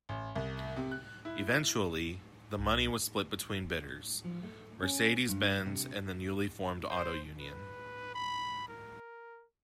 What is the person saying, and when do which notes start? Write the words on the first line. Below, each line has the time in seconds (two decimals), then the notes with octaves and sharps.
Eventually, the money was split between bidders, Mercedes-Benz and the newly formed Auto Union.
0.09 A1
0.35 C2
0.76 C3
0.91 F#6
1.25 E4
2.58 C2
4.24 F3
4.43 A3
4.83 C#4
5.29 G2
5.66 C3
6.90 C5
7.38 B4
8.15 B5
8.68 A#4